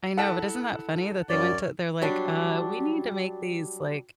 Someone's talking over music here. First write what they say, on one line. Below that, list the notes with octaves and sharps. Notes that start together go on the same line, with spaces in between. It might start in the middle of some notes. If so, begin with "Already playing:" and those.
I know, but isn't that funny that they went to they're like, "Uh, we need to make these, like,
E4 A4 F#5 A5
F#2 C#5 D5 C#6 F6
F#3 G3 D4